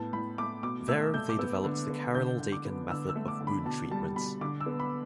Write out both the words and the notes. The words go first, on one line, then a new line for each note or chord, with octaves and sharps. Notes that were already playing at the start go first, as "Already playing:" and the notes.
There they developed the Carrel-Dakin method of wound treatments.
Already playing: A2 B3 A5
A2 B5
A3 D6
B2 D6
A3 E6
A3 G6
D6
B3 E6
D3
B3
D3 G6
D3
D6
B3
D3 E6
E6
A3
D6
D3
B5
B2 A5
G3 A5
B2 B5
D3 D6
E6
B3
B5